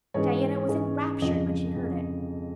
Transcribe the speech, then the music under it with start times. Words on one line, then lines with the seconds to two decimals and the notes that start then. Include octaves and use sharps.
Diana was ENRAPTURED when she heard it.
0.14 G#2 E3 G#3 C#4 C#5
0.68 G#2 E3 G#3 C#4
1.22 F2 C#3 F3 D#5
1.76 F2 C#3 F3